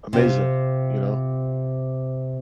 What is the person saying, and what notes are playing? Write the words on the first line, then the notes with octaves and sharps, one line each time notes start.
amazing, you know?
C3 F4